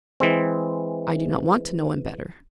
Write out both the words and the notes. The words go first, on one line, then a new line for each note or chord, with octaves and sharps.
"I do not want to know him better."
E3 G#3 C4